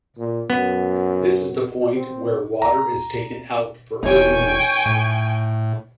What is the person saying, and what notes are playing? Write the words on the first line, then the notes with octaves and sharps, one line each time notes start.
This is the point where water is taken out for urban use.
A#2
F#2 B3
C4
A#5
E1 D#4 C#5 G5 G#5 C#6
A2